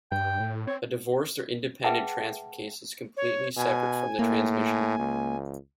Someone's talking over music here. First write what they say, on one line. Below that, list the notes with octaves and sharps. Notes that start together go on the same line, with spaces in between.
A divorced or independent transfer case is completely separate from the transmission.
G2 G5
A2
C4 C#5
G#4 B4 E5 F#5 G5 A5
C#5
B2 G#5
A2 A#3
G#5
C#2